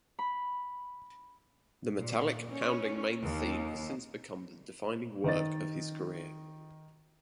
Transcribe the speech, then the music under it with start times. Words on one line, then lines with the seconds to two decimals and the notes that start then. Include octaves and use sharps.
The metallic, pounding main theme has since become the defining work of his career.
0.19 B5
1.99 A#2
2.50 C#4
3.21 D#2
5.24 D#3 D#5 A6